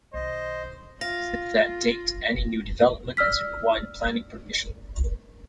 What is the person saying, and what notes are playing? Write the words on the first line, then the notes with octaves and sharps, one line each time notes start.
Since that date any new "development" has required planning permission.
B1 D#3 C5 D#5
F4 F5 A#6
D5 E6 F6 B6